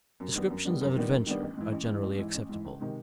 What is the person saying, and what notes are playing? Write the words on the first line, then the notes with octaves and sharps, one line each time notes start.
Descriptions of adventure are generally acceptable.
F#2
D#3 G3 B3 D4
F#2
D#3 G3 B3 D4
F#2
D#3 G3 B3 D4
F#2
D#3 G3 B3 D4
A1
G#2 E3
A1
G#2 E3
A1
G#2 E3
A1
G#2 E3
C#2
C3 D#3 G#3